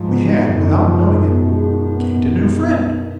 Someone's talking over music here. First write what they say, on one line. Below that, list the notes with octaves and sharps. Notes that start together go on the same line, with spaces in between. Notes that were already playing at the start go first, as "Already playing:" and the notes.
We had, without knowing it, gained a new friend.
Already playing: G#2 F3
B3
D#4
F#2 D#4
D#4
F3
G#3
D#4
B2
F#2 G#3
D#4
D#4
B3
B2
D#4
D#4
B3
D#4
D#3